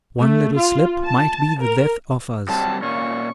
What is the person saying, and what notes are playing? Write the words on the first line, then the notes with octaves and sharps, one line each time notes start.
One little slip might be the death of us.
A3
F4
A5
A#4
F#3 G3 C4 A5
A#2 C#4 C#6